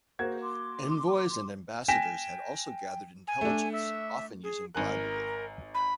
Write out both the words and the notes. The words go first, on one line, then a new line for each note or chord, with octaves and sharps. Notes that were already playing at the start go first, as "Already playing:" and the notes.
Envoys and ambassadors had also gathered intelligence, often using bribery.
A#3 F#4 G#4 C5 G#6
C6 D6
G5 G#5 A#6 B6 E7
G#5
A3 D4
E5
G#4
G#1 A#4 G#5 F#6
B5